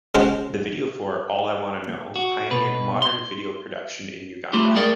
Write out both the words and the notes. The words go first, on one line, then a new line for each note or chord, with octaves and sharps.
The video for "All I Wanna Know" pioneered modern video production in Uganda.
C#3 G#3 C#4 F#4 C5
F#4
B2 B4
C6
A3 E4 F4 G4
G#3 A3 G#4 A#4 D5 G5